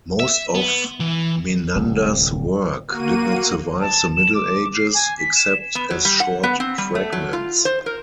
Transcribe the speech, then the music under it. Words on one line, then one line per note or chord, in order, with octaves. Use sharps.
Most of Menander's work did not survive the Middle Ages, except as short fragments.
E5
B3
E3
D1 C2 G3
A#3 F#4 D#7
A5
E7
D6
C7
G#5
B6
E7
B3
F#3
G3
F#5
B3
C4
G3
A3
F#3
F4
C5
A#4